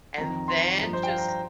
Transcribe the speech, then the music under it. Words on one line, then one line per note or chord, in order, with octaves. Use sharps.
And then just
F2 D#3 A#5
C6
G2 F3 A#5
C5
G5
F5
A#5
A#5